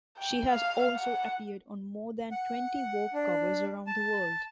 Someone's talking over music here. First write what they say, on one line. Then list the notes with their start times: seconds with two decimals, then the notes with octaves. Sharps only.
She has also appeared on more than twenty "Vogue" covers around the world.
0.17 G5
0.50 F5
0.96 F#5
2.31 F#5
3.13 D4
3.87 A5